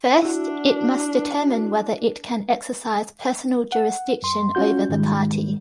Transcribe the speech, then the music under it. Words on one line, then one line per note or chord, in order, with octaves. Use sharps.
First, it must determine whether it can exercise personal jurisdiction over the party.
D4 E4 F#4
F#5
F#2 C6
C#4 F4 F#4 G6
G#2 D#3 G3 G#3